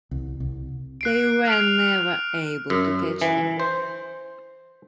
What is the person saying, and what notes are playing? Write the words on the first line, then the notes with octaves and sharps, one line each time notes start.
They were never able to catch him.
C2
C2
F#6 C7 D7
F6 C7 D7 F7
F#2
E3
C5